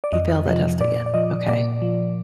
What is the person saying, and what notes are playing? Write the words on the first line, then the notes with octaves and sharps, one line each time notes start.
He failed that test again okay.
D5
F2 D#5
C3 F3
A#2 D5
D5
F3 D#5
A#2 D5
F3